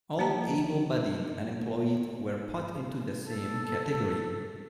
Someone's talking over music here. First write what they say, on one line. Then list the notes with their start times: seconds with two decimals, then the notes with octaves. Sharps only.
All able-bodied unemployed were put into the same category.
0.19 F3 A#3 A5 A#5
3.23 A4